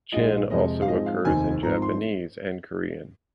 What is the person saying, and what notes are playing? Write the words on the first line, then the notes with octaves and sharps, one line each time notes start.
"Jin" also occurs in Japanese and Korean.
A#1 G#2 G#3 F4 D#5
F2 C3 G#3 D#5
F5
G#2 F3 G#3 C4 D#5
F5
F1 D#2 D#3 C4 D#4 G#5
G#1 G#2 F3 C4 A#5
C6